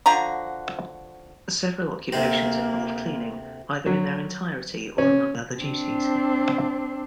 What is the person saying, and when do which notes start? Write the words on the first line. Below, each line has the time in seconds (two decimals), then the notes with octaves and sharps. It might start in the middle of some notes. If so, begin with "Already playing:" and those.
Several occupations involve cleaning, either in their entirety or among other duties.
0.06 D3 F3 F#4 A#5
2.13 D2 C3 A#3 C4
3.86 F#3
4.98 C#4
5.59 C4 D4